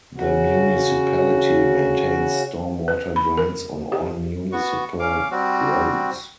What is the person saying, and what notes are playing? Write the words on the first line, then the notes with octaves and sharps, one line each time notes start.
The municipality maintains stormwater drains on all municipal roads.
C#3 F#4
B4
B5
A#4
G4
B3 F#4 C#6
C#4 F5 D6
G3 C4 F#4